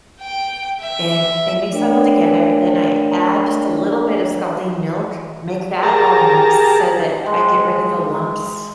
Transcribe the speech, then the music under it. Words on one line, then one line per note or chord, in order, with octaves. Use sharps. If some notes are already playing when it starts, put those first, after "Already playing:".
And and mix that all together, then I add just a little bit of scalding milk. Make that all mixed so that I get rid of the lumps,
G5
E5
A3 D4 A#4 C#5 D5 G5
G4 G#4 A#4 A5 A#5
G#3 G5